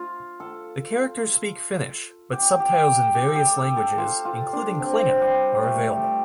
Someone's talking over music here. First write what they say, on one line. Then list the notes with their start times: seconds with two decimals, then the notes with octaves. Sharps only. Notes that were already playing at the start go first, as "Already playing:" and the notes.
The characters speak Finnish, but subtitles in various languages, including Klingon, are available.
Already playing: F4
0.40 A4
2.33 G4
2.60 G4
3.15 G4
3.28 A4
3.35 G4
3.57 A4
3.77 A4
3.98 F4
4.25 F4
4.53 D4
4.80 C4
5.22 G3
5.62 A3
5.90 G3